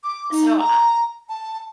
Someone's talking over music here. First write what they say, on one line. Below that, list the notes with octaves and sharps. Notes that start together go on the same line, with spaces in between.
So, I
D6
D#4
A#5
A5